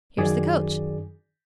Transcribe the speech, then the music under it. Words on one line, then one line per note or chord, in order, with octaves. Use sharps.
Here's the coach.
F#2 D#3 G#4 D5